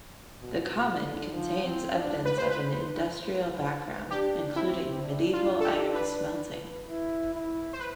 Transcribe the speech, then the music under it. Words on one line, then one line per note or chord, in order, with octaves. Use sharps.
The Common contains evidence of an industrial background, including medieval iron smelting.
B2
B2
D3
F3
C4
D4
B4
C5
B4
D4 G4
C4 E4
D4
F4
A4
G4
B4
E4
E4
C5
B4